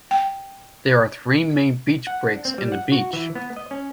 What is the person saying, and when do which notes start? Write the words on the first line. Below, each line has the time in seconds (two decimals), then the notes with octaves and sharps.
There are three main beach breaks in the beach.
0.11 G5
2.07 F#5
2.29 D4
2.45 C4
2.58 G3
2.72 F#5
2.92 F#4
3.13 E3
3.35 B3
3.56 D#5
3.71 C#4